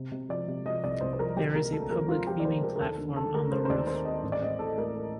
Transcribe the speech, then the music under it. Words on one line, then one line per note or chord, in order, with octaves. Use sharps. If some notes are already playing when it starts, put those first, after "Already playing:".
There is a public viewing platform on the roof.
Already playing: C3
C3
F3 D5
C3
F3 D#5
C2 D5
C2 C5
C5
F3 A#4
C3 G4
A#3 A#4
D2 A4
F3 A#4
F3 F4
F3 G4
D5
A#3 C5
A#3 A#4
A#4
D#2 A4
D3
D3 A4
A3 A#4
A3 C5
C5
D#2 D5
C4 C5
C4 D#5
A1
D5
C4 D#5
A2 A4
A3 A#4